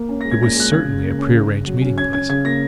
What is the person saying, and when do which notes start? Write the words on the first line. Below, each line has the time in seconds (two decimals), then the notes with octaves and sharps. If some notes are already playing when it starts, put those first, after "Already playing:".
It was certainly a prearranged meeting place.
Already playing: A#3
0.09 C#4
0.21 G#3 A#6
0.31 G#6
0.40 A#2 A#6
0.56 G#3 F#6
0.72 C#3 G#6
0.87 C#3
1.03 A#3
1.19 C#4
1.35 C#3
1.50 C#3
1.66 F#3
1.82 C#4
1.97 C#4 G#6
2.13 C#4 G#6
2.29 C#3 G#6
2.45 A#3 A#6